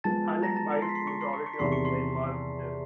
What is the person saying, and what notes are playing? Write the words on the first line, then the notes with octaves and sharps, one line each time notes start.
Thailand buys the majority of Myanmar's gems.
F3 G#3 B3 A5 A6
A#5 A#6
A5 A6
C#7
C6 C7
B6
C6 C7
C#6 C#7
C6 C7
C#6 C#7
C#6 C#7
B6
E2 C3 D#3 C6 C7
C#6 C#7
C6 C7